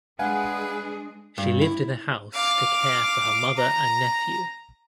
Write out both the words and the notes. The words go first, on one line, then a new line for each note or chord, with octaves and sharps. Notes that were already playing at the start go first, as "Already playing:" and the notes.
She lived in the house to care for her mother and nephew.
G#3 D4 G#4 B4 F5 F#5 G#5
G2
E4
F5 D6
A#5